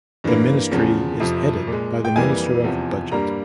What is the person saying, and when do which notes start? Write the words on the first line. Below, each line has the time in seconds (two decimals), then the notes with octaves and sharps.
The Ministry is headed by the Minister of Budget.
0.24 G2 E3 A#3
0.71 E2 C#3 F3
1.20 F2 C3 F3
1.67 A#2
1.72 G#3
2.05 G5
2.16 F2 E3 G3 A#3 G#5
2.64 E2 C3 F3
3.12 G2 G3 A#3 A#5